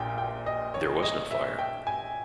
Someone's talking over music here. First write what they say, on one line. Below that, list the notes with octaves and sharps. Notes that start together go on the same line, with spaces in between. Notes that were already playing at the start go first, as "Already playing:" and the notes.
There was no fire.
Already playing: A#1 A#2 G5
G5
D#5
C#5
D#5
E5
G5
G#5